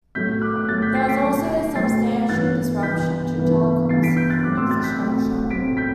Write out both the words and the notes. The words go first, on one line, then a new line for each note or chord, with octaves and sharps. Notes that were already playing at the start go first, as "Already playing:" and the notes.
There was also substantial disruption to telecoms infrastructure.
A2 F#3 A3 G6 B6
D6 F#6
D6 F#6
A2 F#3 A3 F#6 A6
G6 B6
A6 C7
B6 D7
A2 F#3 A3
A2 F#3 A3 A6 C7
G2 E3 B3 F#6 A6
G2 E3 B3 G6 B6
G2 E3 B3
G2 E3 B3 A6 C7
B6 D7
G6 B6
F#6 A6
A2 F#3 A3 C4 D6 F#6
C6 E6
F#6 A6
G6 B6
A2 F#3 A3 C4
A2 F#3 A3 C4 B6 D7
G6 B6